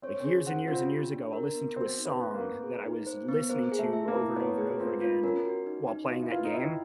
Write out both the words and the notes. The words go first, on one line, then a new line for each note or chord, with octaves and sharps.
like, uh, years and years and years ago, I'll listen to a song that I was listening to over and over and over again while playing that game,
C4 C#5
C4
C#4 G#4
C4 F#5
C4 F4
G4
D4
A#4
B3
C4 F#4
D#4
B3
C4
A#3
C4
G#4
D#4
C5
B3
A#3 C5
G#4
A3
E5
A#3
E4
B3 C#5
G#4
C4 F4
F4
C#4 A#4
F#4
D#4
D#4
F4 D#5
E4
F4 B4
D#4
E4 G5